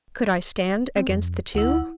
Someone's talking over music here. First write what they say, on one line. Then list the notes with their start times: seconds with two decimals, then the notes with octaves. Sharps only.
Could I stand against the two?
0.96 C4
1.09 F2
1.55 D2 E4 F#5